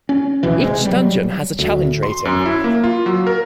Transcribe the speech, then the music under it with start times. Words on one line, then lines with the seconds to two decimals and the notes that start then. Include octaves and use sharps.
Each dungeon has a "challenge rating".
0.09 C#4
0.43 D1 A1 B2 E3
0.60 C3 G3 G#3
0.85 F#3 G3
1.59 D2
2.03 C6
2.25 F#2
2.46 E4
2.64 A#3
2.84 F4
3.06 F#3
3.27 A#4